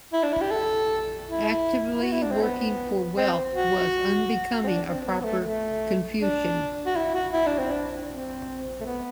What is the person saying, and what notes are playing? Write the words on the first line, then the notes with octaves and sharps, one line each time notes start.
Actively working for wealth was unbecoming a proper Confucian.
E4
D4
E4
G4
A4
E4
E4
F#4
E4
D4
C4
B3
C4
F#4
C4
D4
C4
B3
B3
A3
A3
D4
F#4
E4
F#4
E4
D4
C4
D4
C4
A3
B3